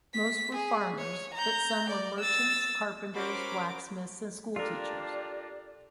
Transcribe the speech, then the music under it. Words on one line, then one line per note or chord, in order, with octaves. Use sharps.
Most were farmers, but some were merchants, carpenters, blacksmiths and school teachers.
B6
G#4
C#5
A#5 G6
D5
E6 A6
C#4 F#4 A#4 C5 B5 C6 D6
D4 F4 G4 A4 A#4 D5